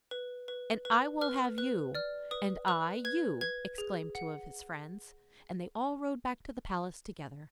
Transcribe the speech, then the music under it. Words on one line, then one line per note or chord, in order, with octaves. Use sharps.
'And I will have you,' 'And I you,' exclaimed two of his friends, and they all rode back to the palace together.
B4
B4
B4
B4 F6
B4 F#6
D5 F6
B4 D#6
B4 F#6
B4 G#6
B4 G#6
G#4
F#5